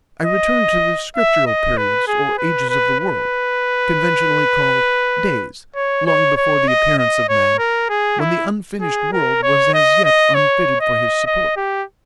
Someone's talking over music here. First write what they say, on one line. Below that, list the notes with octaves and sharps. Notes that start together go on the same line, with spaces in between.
I return to the scriptural periods or ages of the world, conventionally called 'days,' long before the appearance of man, when the unfinished world was as yet unfitted for his support.
D#5
E5
D#5
B4
G#4
B4
B4
B4
C#5
C#5
C#5
D#5
D#5
C#5
A#4
G#4
E4
G#4
A#4
C#5
D#5
D#5
C#5
D#5
D#5
G4